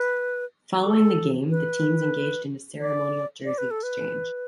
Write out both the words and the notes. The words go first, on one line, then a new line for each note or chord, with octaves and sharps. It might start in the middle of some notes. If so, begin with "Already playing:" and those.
Following the game the teams engaged in a ceremonial jersey exchange.
Already playing: B4
A4
B4
D5
D5
B4
A4
B4